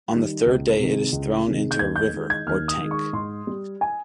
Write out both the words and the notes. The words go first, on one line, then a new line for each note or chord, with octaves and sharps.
On the third day it is thrown into a river or tank.
D#3 G3
C#2
C3 D#3 G#3
C#2
C3 D#3 G#3
G6
D#2 G#6
G6
D#3 G#3
G#6
D#2 F6
D#6
D#3 G#3
C#6
G#2 C6
G3
G#5